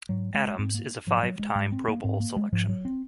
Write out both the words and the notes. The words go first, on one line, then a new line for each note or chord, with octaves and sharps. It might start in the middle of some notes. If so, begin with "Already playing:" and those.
Adams is a five-time Pro Bowl selection.
G#2 F#3
G#3
G#2 C4
A#3
G#2 F3
F#3
G#3
G#2 G#3
C4
A#3
G#2 C4
A#3
G#3
G#2 F3
F#3
C4